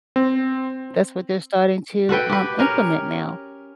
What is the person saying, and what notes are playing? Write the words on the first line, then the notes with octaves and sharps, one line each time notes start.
That's what they're starting to, um, implement now.
C4
F#4 A4 B4 G5
G4 B4
C#4 A#4